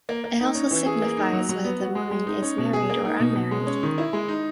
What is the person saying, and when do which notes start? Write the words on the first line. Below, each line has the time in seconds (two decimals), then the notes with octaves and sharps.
It also signifies whether the woman is married or unmarried.
0.09 A#3
0.24 A#3
0.40 D#4
0.55 C#4
0.71 E3
0.86 G#4
1.02 A#3
1.17 D#4
1.33 F#3
1.49 F#3
1.64 B3
1.80 F#4
1.95 G#3
2.11 G#3
2.27 D#4
2.42 C#4
2.58 B2
2.73 G#4
2.89 A#3
3.05 D#4
3.19 B2
3.36 B2
3.51 G#3
3.67 C#4
3.83 D#3
3.98 E4
4.13 G#3
4.28 D#4